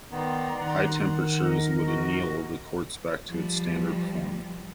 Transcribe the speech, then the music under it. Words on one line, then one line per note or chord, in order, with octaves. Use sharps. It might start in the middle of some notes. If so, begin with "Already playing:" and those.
High temperatures would anneal the quartz back to its standard form.
D#3 B3 D5 A#5 C6
D#3 F#5
A#4 D#5
F#4
F3 G3